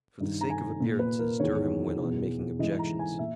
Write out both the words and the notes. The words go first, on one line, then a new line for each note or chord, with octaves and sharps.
For the sake of appearances Durham went on making objections.
G2 D#3
A#5
G#5
A#2
B4
A#4
E2 D#3 C#5
E2 B2
G#2 E3 D#5
A#5
G#5
A#2 E5